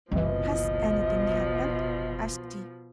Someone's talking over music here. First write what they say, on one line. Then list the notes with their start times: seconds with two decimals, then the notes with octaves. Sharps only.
'Has anything happened?' asked he.
0.11 F#1 C2 B2 E3 F3 D#5